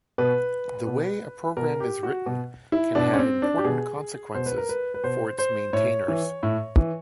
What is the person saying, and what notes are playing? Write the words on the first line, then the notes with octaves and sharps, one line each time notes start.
The way a program is written can have important consequences for its maintainers.
B2 B4
B2
B2 A#4
G4
F#4
B2
E4
B2 D4
C#4
C4
D4
G4
B2 G#4
B2 C5
B4
A#4
B4
B4
B2 C5
C5
A2 C#5
E3
A2
E3